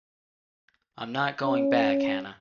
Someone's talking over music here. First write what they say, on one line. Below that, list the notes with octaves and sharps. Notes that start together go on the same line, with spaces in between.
I’m not going back, Hannah.
C#4